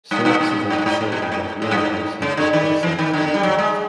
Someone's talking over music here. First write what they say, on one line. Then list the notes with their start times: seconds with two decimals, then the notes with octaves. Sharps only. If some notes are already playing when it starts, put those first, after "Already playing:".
Services and facilities at Lunar House have been criticised in the past.
0.11 G2
0.25 G2
0.41 G2
0.70 G#2
0.78 G2
0.86 G#2
1.01 A2
1.12 B2
1.22 A#2
1.32 G#2
1.62 A2
1.71 G2
1.78 G#2
2.22 C#3
2.37 D3
2.53 D#3
2.83 E3
2.99 D#3
3.13 D3
3.34 G3
3.43 F#3
3.58 G#3